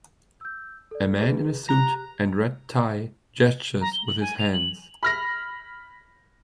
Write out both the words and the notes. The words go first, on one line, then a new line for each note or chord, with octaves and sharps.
A man in a suit and red tie gestures with his hands.
E6 G6
A4 D5
G#4 B4
G4 A#5 F#6
A#5
G7
F#7
G#5
F7
F#7
B5 F6 A#6